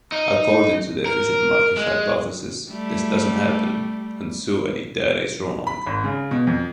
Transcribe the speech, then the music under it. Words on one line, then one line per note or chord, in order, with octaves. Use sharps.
According to the efficient-market hypothesis, this doesn't happen, and so any data is wrong.
D#4
A#4
G#3
G3 A3
B5
G#1
C#3
B2
F2